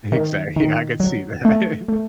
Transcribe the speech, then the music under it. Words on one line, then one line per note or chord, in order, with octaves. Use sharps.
Exactly I could see that.
D#3
D#3
F#3
A3
A3